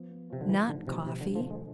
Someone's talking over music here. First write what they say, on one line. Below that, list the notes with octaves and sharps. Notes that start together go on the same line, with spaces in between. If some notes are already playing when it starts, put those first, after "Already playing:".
Not coffee.
Already playing: F3 B3
B3
C3 F3
D3
A1 E3
G#2 D3
C3 F3
E1 C3
D3
D2
F3
D2 G#3